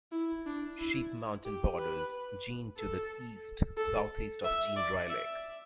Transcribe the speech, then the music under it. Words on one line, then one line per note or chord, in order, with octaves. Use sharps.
Sheep Mountain borders Jean to the east, southeast of Jean Dry Lake.
E4
D4
E4
G4
B4
A4
A4
E5
D5
E5